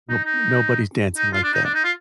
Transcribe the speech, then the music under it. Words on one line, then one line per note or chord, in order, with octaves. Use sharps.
No nobody's dancing like that.
D#4
D#4
D#4
F4
D4
D#4
D4
D#4
F4